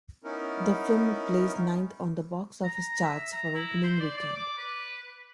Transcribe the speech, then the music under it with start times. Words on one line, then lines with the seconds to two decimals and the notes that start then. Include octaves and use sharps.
The film placed ninth on the box office charts for opening weekend.
0.24 B3 C#4 D#4 E4 A#4
2.64 A#5
3.03 E5
3.32 A#5
3.54 E4
3.83 C5
4.00 D5
4.17 D5
4.36 D6
4.58 B4